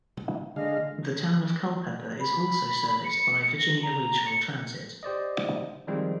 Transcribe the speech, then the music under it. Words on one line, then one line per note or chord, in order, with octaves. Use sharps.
The town of Culpeper is also serviced by Virginia Regional Transit.
D3 G#3 D#5 F5
B5
C#7
A#6
A#5
C#7
G4 C5 D5 D#5
D#3 F3 G3 G#3 C4 F4